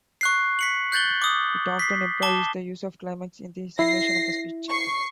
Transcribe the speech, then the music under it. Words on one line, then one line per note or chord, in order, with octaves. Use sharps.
It often employs the use of climax in the summation of a speech.
C#6 F#6 C7
B6 C#7 F#7
F#6 G6 A6 F#7 G7
D6 D#6
B6 C7
A5 D6 G7
E4 A#6 C7
C#6 C7